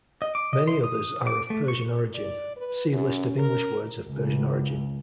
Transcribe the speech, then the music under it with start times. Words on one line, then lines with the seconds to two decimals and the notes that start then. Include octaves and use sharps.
Many others are of Persian origin; see List of English words of Persian origin.
0.22 D#5
0.35 D6
0.53 D#5
0.68 C6
0.84 D#6
1.27 D6
1.50 A3
1.68 C#6
2.15 D5
2.57 B4
2.91 F#2 C#4
3.38 A#4
4.06 C#2